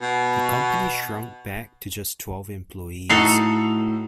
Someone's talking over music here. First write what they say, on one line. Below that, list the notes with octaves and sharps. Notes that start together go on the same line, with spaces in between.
The company shrunk back to just twelve employees.
B2
A2 D#4 F#4 A4 C7 F7